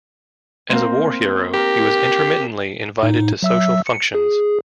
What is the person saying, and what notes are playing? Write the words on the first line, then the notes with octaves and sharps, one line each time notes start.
As a war hero, he was intermittently invited to social functions.
A#3 C4
G4 A#4
A2 D#4
F#3 E5 E6
C#7
G#4